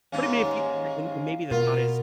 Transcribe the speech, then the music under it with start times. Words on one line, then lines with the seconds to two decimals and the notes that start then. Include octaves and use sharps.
But I mean if you and and maybe the thought is,
0.12 D#2 G#2 C#4 F5
1.51 B2 B3 F4 A#4